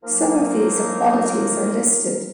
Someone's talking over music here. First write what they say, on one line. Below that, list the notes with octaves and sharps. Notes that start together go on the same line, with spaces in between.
Some of these equalities are listed.
F3 F#3 A#3 D#4 A#4